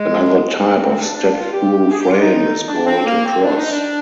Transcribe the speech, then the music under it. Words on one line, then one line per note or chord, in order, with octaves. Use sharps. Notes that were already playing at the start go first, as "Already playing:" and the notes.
Another type of step-through frame is called a "cross".
Already playing: G#3
C4
C4
D4
D4
F4
G4
G#4
G4
F4
D#4
D4
C4
A#3
C4
D4
D#4
D4